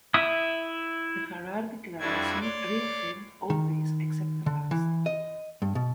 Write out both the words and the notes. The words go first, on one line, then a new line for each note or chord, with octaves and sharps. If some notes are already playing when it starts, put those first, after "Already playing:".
The Harare Declaration reaffirmed all these except the last.
E4 E5 D#6
F2 G3 D4 E4 F#4 G#6
C#5 D5 C6 D6
D#3
D3
E3
D#5
G2
B2